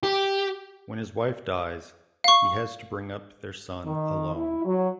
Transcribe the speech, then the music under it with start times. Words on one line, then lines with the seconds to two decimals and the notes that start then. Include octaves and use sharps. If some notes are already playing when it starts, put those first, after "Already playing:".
When his wife dies he has to bring up their son alone.
0.03 G4
2.24 F5 C#6
3.85 D#3
4.35 E4
4.65 F#3